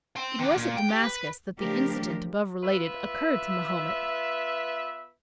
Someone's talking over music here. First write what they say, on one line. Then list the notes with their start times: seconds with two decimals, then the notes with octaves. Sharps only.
It was at Damascus that the incident above related occurred to Mahomet.
0.16 G5 C6
0.39 D#3 D4
0.56 A#2
0.77 G5
0.89 G4
1.03 B4
1.59 C#3 F3 A3 D4 G4 A#4
2.63 B3 F4 B4 E5